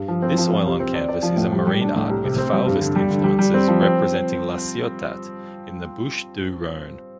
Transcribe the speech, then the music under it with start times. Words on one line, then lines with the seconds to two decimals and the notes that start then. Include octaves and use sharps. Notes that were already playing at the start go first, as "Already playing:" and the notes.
This oil on canvas is a marine art with Fauvist influences representing La Ciotat, in the Bouches-du-Rhône.
Already playing: G2
0.08 F3
0.22 C4
0.37 F3
0.51 F4
0.66 C2
0.80 C4
0.95 D5
1.09 D5
1.23 F3
1.37 A2
1.52 G3
1.67 G3
1.81 D4
1.96 A2
2.09 C2
2.24 C3
2.38 C4
2.53 G3
2.66 G2
2.81 D3
2.96 G3
3.10 D3
3.24 G3
3.39 G3
3.54 C4
3.68 F3
3.82 C4